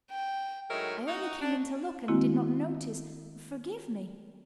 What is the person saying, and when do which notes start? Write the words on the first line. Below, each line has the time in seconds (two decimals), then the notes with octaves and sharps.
"I only came in to look and did not notice... forgive me..."
0.11 G5
0.70 A2 F#3 G#3 D#4 A#4 E5
1.08 D#4 F#4
1.41 D4
2.08 D#3 G#3 A#3 C4 E4 F#4